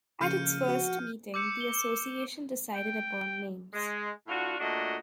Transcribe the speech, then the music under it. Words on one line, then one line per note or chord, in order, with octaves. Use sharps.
At its first meeting, the Association decided upon names.
A#1 C#3 A#3 C#6 F6 G6 D#7
F#4 F#5
D6 E6 G6 C#7 E7
C#7 G7
G5
G#3
A2 D4 F4 F#4
A#2 A3 D4 F#4 D#5